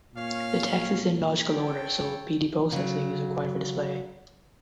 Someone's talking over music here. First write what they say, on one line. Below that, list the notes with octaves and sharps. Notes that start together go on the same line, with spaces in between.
The text is in logical order, so bidi processing is required for display.
A#2 C#4 C#5 F5
A4 C#5 G5
C#3 F#3